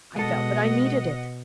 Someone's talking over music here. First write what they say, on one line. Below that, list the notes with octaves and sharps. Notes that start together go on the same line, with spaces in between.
I felt that I needed it.'
B2 G#3 A4 D#5 F#5